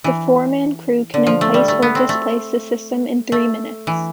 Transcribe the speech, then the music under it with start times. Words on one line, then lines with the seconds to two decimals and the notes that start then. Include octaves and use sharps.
The four-man crew can emplace or displace the system in three minutes.
0.04 E3
1.14 D3
1.27 F3
1.41 A3
1.54 G3
1.68 A3
1.82 B3
1.95 C4
2.09 A3
3.32 A3
3.87 E3